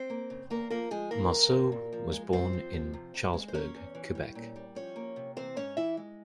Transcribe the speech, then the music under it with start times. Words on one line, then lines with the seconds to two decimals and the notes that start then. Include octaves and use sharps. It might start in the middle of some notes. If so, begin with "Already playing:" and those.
Marceau was born in Charlesbourg, Quebec.
Already playing: C4 C5
0.10 A#3
0.30 C#3
0.50 E2 A#3 A#4
0.70 F3 A#3 A#4
0.91 F3 G#3 G#4
1.11 E3 A#3 A#4
1.32 E3
1.52 C3
1.72 A#2
1.93 F3
2.12 G#3
2.32 F3 C4 C5
2.53 F3
2.73 F3
2.94 C3
3.14 C3
3.33 G#3
3.48 C5
3.54 A#3 C#4 C#5
3.75 E2
3.95 E3
4.15 G3
4.35 A#2
4.56 G3
4.75 F3 C#4 C#5
4.96 A#3
5.16 C3
5.37 E3 C4 C5
5.56 G#2 C#4 C#5
5.77 E3 E4 E5
5.97 G#3